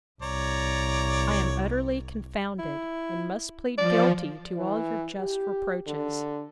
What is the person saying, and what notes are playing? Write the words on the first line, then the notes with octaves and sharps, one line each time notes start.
'I am utterly confounded, and must plead guilty to all your just reproaches.
C2 C#5 D5 A#5
E4
F3 D5
E3
G4
D3